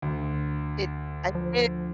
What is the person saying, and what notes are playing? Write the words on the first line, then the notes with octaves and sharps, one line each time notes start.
It I did
D2
F3